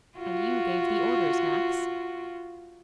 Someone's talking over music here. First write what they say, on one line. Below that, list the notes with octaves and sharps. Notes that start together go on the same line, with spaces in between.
'And you gave the orders, Max!
F4 F#4